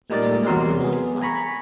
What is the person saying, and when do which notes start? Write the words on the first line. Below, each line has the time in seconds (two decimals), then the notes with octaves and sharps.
He turned on the electric light.
0.10 A#2 G3 D#4 A#4 D5 A6
0.47 E2 C3 F#3 A#4 C6
0.81 B3 G#4
1.21 G#5 A#5 B5 C#6